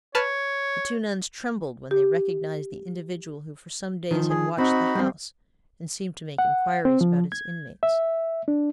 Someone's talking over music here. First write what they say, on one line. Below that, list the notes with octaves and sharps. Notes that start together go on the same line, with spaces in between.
The two nuns trembled when they recognized the individual who for some days had watched the house and seemed to make inquiries about its inmates.
B4 C#5 A5 F6
G4
D#3 F3
G#4
C4 D#4 F#4 B5
G3 C4
F#5
C4
F3
G#6
E5
D4